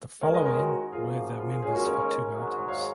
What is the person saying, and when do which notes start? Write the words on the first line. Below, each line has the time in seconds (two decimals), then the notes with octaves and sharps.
The following were the members for Two Mountains.
0.22 F#2 D#3 G#3 A#4 C#5
0.34 B4 D#5
0.45 A#4 C#5
0.58 F#4
0.92 G#1 F#2 C#3 F3 A#3 F4 G#4
1.39 F4
1.51 F4 G#4
1.62 D#2 C#3 G#3 C#4 F4 G#4
1.75 F#4 A#4
1.86 A#4 C#5
2.34 G#1 G#2 F#3
2.68 C#5 F5